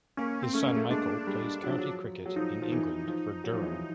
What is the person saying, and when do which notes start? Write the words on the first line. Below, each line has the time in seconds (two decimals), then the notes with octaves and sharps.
His son, Michael, plays county cricket in England for Durham.
0.17 A#3 C#4
0.43 C4
0.54 A3 C#4
0.65 A#3
0.76 A3
0.90 G#3 D4
1.27 G3
1.63 F#3
1.70 F3
1.78 F#3
2.26 F#3
2.36 F3 D#4
2.62 F3
2.72 E3
3.08 F3
3.44 F#3
3.53 F3
3.62 E3
3.71 F3